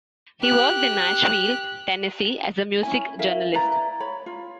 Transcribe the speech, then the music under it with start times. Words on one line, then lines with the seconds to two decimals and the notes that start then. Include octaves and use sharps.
He worked in Nashville, Tennessee, as a music journalist.
0.41 G4 F#6
2.83 C#4 E4 G#5
3.19 E4 A#4 E5 F5
3.53 E4 B4 D5 A#5
4.00 C#5 B5
4.26 F4